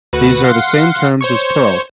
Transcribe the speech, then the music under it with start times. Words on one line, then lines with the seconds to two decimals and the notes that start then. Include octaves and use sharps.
These are the same terms as Perl.
0.13 D2 F#4 B4
0.44 F5 F#5 C6
1.21 C5 C#5 C#6